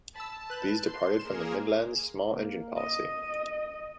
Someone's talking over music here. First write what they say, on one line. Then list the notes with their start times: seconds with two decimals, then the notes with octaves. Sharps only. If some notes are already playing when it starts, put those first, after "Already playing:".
These departed from the Midland's small engine policy.
0.15 A5 B5 E6
0.50 B4 F#6 G6
0.89 C6
1.19 A#3 G#4 A#4 E7
2.29 A#3
2.77 D#5